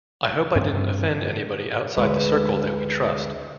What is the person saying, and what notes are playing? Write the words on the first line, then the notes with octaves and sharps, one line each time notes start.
I hope I didn't offend anybody outside the circle that we trust.
G2 C4
D2 G#3 B4